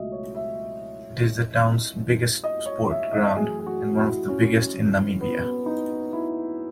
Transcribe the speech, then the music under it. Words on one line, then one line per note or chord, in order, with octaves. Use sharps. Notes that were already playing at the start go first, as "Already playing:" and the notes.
It is the towns biggest sport ground and one of the biggest in Namibia.
Already playing: C#2 B2 F#3 A3 D#5 E5
C#5
E5
D#5
C#5
E5
D#5
F#2 E3 A3 G#4
G#4
F#4
E4
C#4
B3
B3
D#4
E4